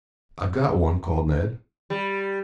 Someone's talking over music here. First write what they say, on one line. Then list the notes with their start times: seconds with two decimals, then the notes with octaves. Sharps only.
"I've got one," called Ned.
1.90 G3